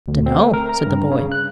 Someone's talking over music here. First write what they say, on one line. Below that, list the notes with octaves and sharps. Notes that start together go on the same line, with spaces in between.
"Dunno," said the boy.
D2
C4
A3
A#4
A#5
G2
C#3
F#6